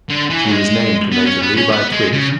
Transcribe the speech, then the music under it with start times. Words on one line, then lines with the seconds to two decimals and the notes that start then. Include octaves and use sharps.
She was named for Major Levi Twiggs.
0.10 D3
0.30 E3
0.45 F#3
0.51 G#3
1.12 B3
1.27 C#4
1.42 B3
1.57 C#4
1.72 B3
1.92 G#3
2.13 C#3